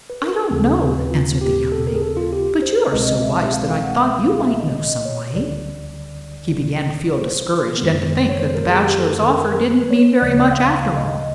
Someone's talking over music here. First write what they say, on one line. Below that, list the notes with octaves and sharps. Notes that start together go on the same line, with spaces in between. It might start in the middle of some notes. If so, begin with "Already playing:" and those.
"I don't know," answered the young Mink, "but you are so wise that I thought you might know some way." He began to feel discouraged, and to think that the Bachelor's offer didn't mean very much after all.
B4
A#4
A4
D#2 C#3 F3 A3 C4 G#4
A4
B4
F4
G4
A4
A#4
G#4
A4
F4
G4
C5
C2 B2 G#3 C4 D#5
D#5
E5
E5
F5
F5
F#5
E5
F5
F5
E5
D#5
D#5
C#5
D2 D3 G3 D5
C5
F#2 D#3 G#3 B3
C#5
C5
A#4
G#4
G4
A4
A#4
A#4
B4
C#5
D2 C#3 F3 A3 D5
C#5
D5
F5
F5
D#5
D#5